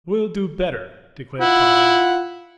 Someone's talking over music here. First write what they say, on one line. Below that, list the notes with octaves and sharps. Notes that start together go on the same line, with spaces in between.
"We'll do better," declared Tom.
E4 F4 F#5